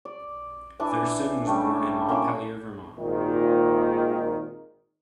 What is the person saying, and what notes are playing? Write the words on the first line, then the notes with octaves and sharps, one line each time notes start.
Thurston was born in Montpelier, Vermont.
D5
E3 D4 G#5
C#3 G3 A3 D4
A#3 C#4 E4 D6
G#1 A#2 D#3